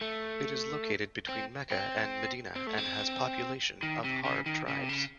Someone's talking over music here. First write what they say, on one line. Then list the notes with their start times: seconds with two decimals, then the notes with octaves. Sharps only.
It is located between Mecca and Medina and has population of Harb tribes.
0.01 A3
1.29 C4
1.71 C4
2.56 C4
2.67 A3
2.78 C4
3.83 D#3
4.04 C3
4.25 C#3
4.46 D#3
4.68 C#3
4.81 C3
4.89 C#3